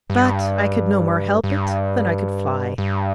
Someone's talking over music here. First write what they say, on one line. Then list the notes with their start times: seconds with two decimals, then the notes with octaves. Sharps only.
But I could no more help it than I could fly.
0.10 G2
1.44 G2
2.78 G2